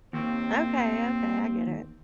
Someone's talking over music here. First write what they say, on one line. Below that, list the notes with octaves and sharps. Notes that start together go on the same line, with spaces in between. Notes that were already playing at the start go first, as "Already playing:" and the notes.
Okay, okay, I get it.
D#2 C4